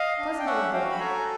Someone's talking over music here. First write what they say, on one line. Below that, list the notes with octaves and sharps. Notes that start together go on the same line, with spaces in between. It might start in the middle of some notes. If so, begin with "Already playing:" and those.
Pleasant old boy.
Already playing: D#5 F5
D4
G5
C#4 E5 F#5
F#4 F5 G5
B5
A4 G#5 A#5